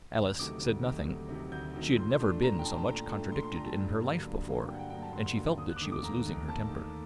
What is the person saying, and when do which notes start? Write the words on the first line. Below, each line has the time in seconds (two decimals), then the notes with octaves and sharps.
Alice said nothing: she had never been so much contradicted in her life before, and she felt that she was losing her temper.
0.17 D2
0.39 C3 D#3 F#3 A3 D6
0.61 D2
0.84 C3 D#3 F#3 A3
1.06 D2
1.29 C3 D#3 F#3 A3
1.52 D2 G6
1.74 C3 D#3 F#3 A3
1.97 A#2 C6
2.19 A3 D4
2.42 A#2 A#5
2.59 G5
2.65 A3 D4 A5
2.78 A5
2.87 A#2 A#5
3.10 A3 D4
3.32 A#2 C6
3.43 C6
3.55 A3 D4 A#5
3.66 A5
3.78 G2
4.00 D3 F#3 A#3
4.22 G2
4.45 D3 F#3 A#3
4.68 G2 G5
4.74 F#5
4.79 G5
4.90 D3 F#3 A#3 G5
5.02 A5
5.13 G2 C6
5.36 D3 F#3 A#3
5.57 D#2 D#6
5.69 F#6
5.76 D6
5.81 D#3 A3 D#6
5.92 D6
6.02 D#2 A#5
6.25 D#3 A3
6.48 D#2 A5
6.70 D#3 A3